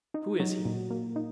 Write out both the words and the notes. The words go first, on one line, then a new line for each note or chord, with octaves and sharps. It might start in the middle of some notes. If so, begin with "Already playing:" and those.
Who is he?'
D#4
F#3
A#2
A#3
D#4